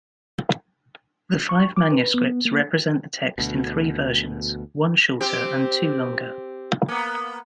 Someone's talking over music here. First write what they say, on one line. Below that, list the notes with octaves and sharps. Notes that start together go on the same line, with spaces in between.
The five manuscripts represent the text in three versions, one shorter and two longer.
C#6
D6
B4
B3
A#3
D2 B2
C4 G4
A#3 B3